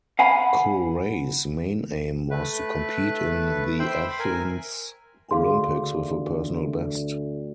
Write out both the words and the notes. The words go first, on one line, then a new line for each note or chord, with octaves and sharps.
Cooray's main aim was to compete in the Athens Olympics with a personal best.
F5 F#5 G#5 B5
A3 B4
C5 E5 G5 B5
A#4 G#5
D2 G#4 F5 C6